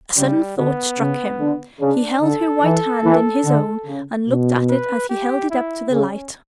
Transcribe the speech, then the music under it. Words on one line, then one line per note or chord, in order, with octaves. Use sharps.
A sudden thought struck him: he held her white hand in his own, and looked at it as he held it up to the light.
C#3 G3
D3 B3
C#3
D3
C#3 D4
D3 A4
E3
E3
D3
C#3
B2
B4
G4
E4
C#3 C#4